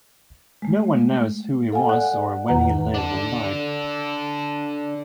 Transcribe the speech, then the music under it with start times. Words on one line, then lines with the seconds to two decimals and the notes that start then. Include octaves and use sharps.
No one knows who he was, or when he lived and died.
0.62 G#3 A3
1.72 A4 F5 F#5 G#5
1.89 D5 F#5 F#6
2.48 E2 D#3 B4 F#5 A#5
2.94 D4 A4